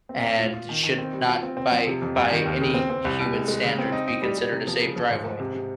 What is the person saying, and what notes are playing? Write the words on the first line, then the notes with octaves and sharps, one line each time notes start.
and should not by by any human standards be considered a safe driveway,
C4
A#2
F4
F4
D#3
D#3
C4
G3
F4
C4
C4
F3
C3
F2
G2
D#3
D#2
C#3
C4
C4
C2
C2
G#3
G#3
C#3
C4
D#4
D#4
G3
G3
C3
F3
C#3
F3
G#2
G#2
C3
C3